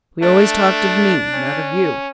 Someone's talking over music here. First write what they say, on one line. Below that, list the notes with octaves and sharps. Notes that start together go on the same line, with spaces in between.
We always talked of me, not of you.
A3 D4
C#4